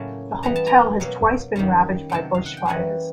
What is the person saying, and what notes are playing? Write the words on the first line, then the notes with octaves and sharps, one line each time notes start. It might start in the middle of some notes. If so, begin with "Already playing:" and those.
The hotel has twice been ravaged by bushfires.
Already playing: A2 C#3 F#3 A#3 C#4 A5 B5
E3 G3 B3 A#5
A5
G#5 A#5
B2 F#3 A#3
D#3 G3 A#3 C#4
C3 D#3 F#3 G5 A5
F5
F#5
G5
E3 G3 A#3 C#4 F#5 G#5